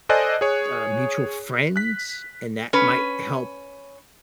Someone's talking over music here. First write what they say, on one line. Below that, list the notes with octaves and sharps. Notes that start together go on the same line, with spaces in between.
uh, mutual friends, and that might help
A4 C5 D5 D#5 G#5 F#6
G#4 C#5
F#6 B6
C#4 B4